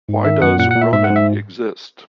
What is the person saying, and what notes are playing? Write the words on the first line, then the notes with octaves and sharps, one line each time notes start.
Why does Ronin exist?
G#2
D#3 E5
F#2 F#5
A#2 F#5
A#2 F#5
E5
G#2 E5
F#5
G#2
E5